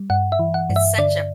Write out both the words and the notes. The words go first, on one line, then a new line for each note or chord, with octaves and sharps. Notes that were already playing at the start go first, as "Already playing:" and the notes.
It's such a
Already playing: G3
G2 F#5
E5
E3
F#5
G2
E5
D3 D5